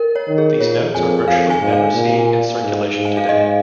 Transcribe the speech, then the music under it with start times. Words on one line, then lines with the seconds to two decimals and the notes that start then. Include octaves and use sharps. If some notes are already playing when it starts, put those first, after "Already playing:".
These notes are virtually never seen in circulation today.
Already playing: A#4
0.16 C#5
0.27 D#3
0.38 G#4
0.60 A#2 C#5
0.94 F2 G#5
1.27 F2 F5
1.50 G#5
1.61 G#2
1.73 F5
1.95 A#2
2.62 G#2
2.96 G#2
3.05 G#5
3.17 F5
3.29 G#2 D#5